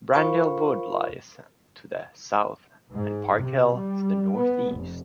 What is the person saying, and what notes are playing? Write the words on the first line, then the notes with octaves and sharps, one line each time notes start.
Brandhill Wood lies to the south and Park Hill to the northeast.
F4 A#4 C5 F5 B5 C#6
G#2
C3
G3
B3
F1